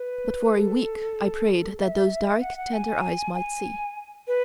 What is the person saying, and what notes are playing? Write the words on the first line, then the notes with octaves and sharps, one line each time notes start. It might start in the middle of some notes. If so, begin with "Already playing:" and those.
But for a week I prayed that those dark tender eyes might see.
Already playing: B4
A4
E5
F#5
F#5
G#5
G#5
B4